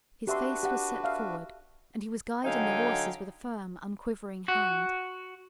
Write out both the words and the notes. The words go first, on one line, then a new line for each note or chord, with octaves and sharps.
His face was set forward and he was guiding the horses with a firm, unquivering hand.
D4 F#4 G4 B4 E5 C6
G4 F#5
E5 F5
D3 F#3 D#4 F5 G5 G#5
F#4